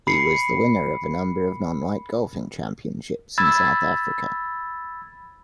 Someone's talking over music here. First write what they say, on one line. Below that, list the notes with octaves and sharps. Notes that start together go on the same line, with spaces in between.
He was the winner of a number of non-white golfing championships in South Africa.
B5 C7 C#7
B5 E6 G#6 A6